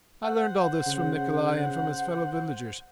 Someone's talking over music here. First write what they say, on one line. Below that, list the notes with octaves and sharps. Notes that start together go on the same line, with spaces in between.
I learnt all this from Nikolay and from his fellow villagers.
C5 F#5
C#3